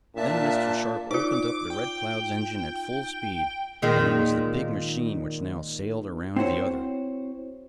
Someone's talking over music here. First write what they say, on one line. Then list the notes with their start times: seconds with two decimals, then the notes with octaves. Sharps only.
Then Mr. Sharp opened up the Red Cloud's engine at full speed, and it was the big machine which now sailed around the other.
0.16 A#2 D4 E5 A5
1.11 D#4 F4 D6
1.70 G5
3.82 A#2 D#3 G#3
6.36 C4 E4 F#4 C5 C#5